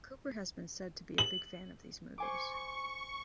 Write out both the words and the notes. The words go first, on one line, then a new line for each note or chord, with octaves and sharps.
Cooper has been said to be a big fan of these movies.
F#7
C5 G#5 C#6 D6